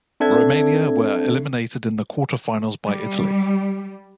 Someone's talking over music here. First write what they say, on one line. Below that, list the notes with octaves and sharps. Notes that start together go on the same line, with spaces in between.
Romania were eliminated in the quarter-finals by Italy.
C4 D4 A4 E5 G#6
G3